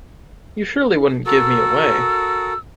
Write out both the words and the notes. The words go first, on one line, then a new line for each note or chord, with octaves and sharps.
You surely wouldn't give me away?
F#4 A4 A#4 E6